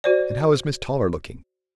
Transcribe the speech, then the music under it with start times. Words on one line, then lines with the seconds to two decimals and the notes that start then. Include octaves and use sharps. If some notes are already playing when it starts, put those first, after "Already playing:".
And how is Miss Toller looking?
0.04 F#4 C5 D5